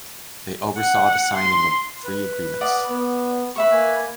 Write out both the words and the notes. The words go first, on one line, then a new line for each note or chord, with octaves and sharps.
They oversaw the signing of three agreements.
F#5
C6
B4
D5 F#5 D#6
B3
B4 E5 C#6
A#3 G#5